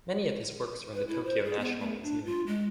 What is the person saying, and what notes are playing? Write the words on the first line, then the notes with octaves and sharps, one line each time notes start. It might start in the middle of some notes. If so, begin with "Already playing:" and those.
Many of his works are in the Tokyo National Museum.
B4
E4
C5
G#4
B3
A3
D4
F4
G#3